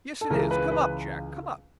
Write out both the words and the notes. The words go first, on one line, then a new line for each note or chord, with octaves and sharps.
Yes, it is. Come up, Jack; come up.'
A4
C#2 C#3 E3 A#4
B4
B4